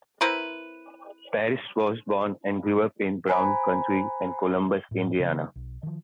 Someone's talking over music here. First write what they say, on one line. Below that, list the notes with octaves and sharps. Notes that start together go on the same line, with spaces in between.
Paris was born and grew up in Brown County and Columbus, Indiana.
C4 E4 A#4 B4
C5 G#5 A#5 B5
A2
C#3 F#3 A#3
B1
D#3 F3